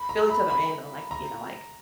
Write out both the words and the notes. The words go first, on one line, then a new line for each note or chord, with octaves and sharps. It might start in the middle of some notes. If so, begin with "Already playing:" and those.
fill each other in on, like, you know, like,
Already playing: B5
A#5
B5
B5
A#5